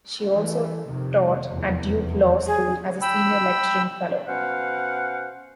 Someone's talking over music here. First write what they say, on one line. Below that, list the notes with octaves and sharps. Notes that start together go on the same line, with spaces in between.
She also taught at Duke Law School as a senior lecturing fellow.
E3 A3
F2 C3 D#3
F1 E2
G#4
G5 B5 E6
B2 C#4 C5 F5 F#5